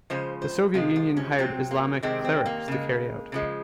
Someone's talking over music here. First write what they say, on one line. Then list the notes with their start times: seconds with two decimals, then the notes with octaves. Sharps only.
The Soviet Union hired Islamic clerics to carry out.
0.10 C#3 F3 G#3 C5
0.42 C5
0.74 C3 F3 G#3 F4
0.96 F4
1.17 C#4
1.38 C3 F#3 C4
1.71 A#3
2.03 C3 D#3 G#3 C4
2.24 C4
2.46 A#3
2.68 C#3 G#3
3.32 C#3 F3 G#3